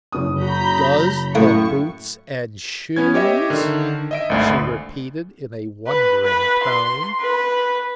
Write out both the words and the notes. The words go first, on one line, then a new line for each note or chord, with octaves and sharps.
'Does the boots and shoes!' she repeated in a wondering tone.
F#1 D#6
F#4 A#5 B5 G6
F#2 A2 A3 A#3 C#6
B3 C#4 G#6
G4 C#5 D#5 E5
D3 D#3
D#5 E5 D7
G#1 D2
B4
B4
C6
B4